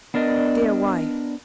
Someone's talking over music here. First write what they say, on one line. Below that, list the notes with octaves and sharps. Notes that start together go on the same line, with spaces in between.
Dear wife!
B3 D4 A#4 D5 D#5